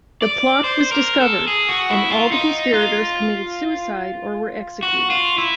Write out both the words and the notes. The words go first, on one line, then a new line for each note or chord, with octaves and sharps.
The plot was discovered, and all the conspirators committed suicide or were executed.
D5
C5
A#4
A4
G#4
F#4
E4
F4
D#4
F4
F#4
F4
E4